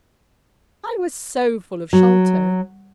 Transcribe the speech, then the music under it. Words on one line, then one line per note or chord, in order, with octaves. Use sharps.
I was so full of Sholto.
F#3